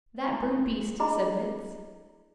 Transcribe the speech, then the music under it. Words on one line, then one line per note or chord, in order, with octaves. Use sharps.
That brute beast submits.
E4 B5 C6
D4 E4 G#4 D#5 A#5 B5